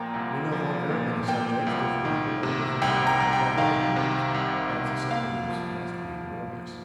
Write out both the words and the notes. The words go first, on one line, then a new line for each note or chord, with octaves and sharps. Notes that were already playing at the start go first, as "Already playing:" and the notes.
We know that on very many subjects different people hold different and incompatible opinions: hence some beliefs must be erroneous.
Already playing: A#2 F3 A#3 G5 A#5
C2
F3
A#2
A#3 G5
C2
D#3
C3
C2 G5
A#5
C2
G5
D#3 F5
C3
C2
C2
A#3 F5
F3